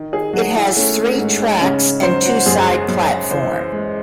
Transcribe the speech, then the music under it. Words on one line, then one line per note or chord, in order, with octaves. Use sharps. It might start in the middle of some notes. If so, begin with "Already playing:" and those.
It has three tracks and two side platforms.
Already playing: D#3
G#4
F#3 F#4
E4
A3 C#4
G#2
C#3 C#4
F#3 C5
F#4
F#2 G#4
F#2
E3 C5
G#3